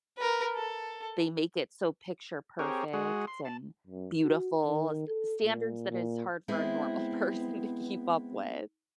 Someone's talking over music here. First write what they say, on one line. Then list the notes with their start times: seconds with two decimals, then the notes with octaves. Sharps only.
they make it so picture perfect and beautiful, s standards that is hard for a normal person to keep up with.
0.17 A#4 B4
0.55 A4
2.59 C4 G4 G#4 A#4 C#5
2.93 G#3 F#4 G#4
3.27 C6
3.45 A5
3.87 F#2
4.24 F#4
4.67 D#3
5.07 A4
5.44 A#2
5.90 A#2
6.48 G#3 B3 C4 E4